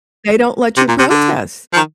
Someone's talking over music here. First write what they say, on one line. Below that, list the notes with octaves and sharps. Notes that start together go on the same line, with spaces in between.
They don't let you protest.
C3
A#2
C3
D3
F3
D#3